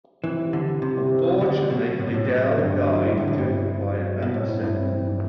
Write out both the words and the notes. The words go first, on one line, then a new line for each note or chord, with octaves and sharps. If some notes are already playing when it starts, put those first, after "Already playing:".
Unfortunately Fidel died during a fire at the set.
E3 C4
G3
D3 G3
E4
C3 E4
G3
C4
G3
D3 C4
F#3
B2 C4
C4
A2 F#3
G2
A2 C4
B2
A2 F#3
C4
G2 D3
D3
F#3
E4
G2 D3
A2 C4
G2
E4
E4
C4
F#3
F#3
B2 E4
A2 C4
E4
G2 E4
C4
E3
E3